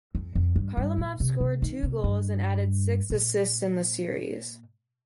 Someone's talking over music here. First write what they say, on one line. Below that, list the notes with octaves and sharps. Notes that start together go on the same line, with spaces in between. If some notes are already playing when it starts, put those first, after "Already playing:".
Kharlamov scored two goals and added six assists in the series.
F2
F2
G2
G2
A#2
C3
C3
D#3
C3
G2
A#2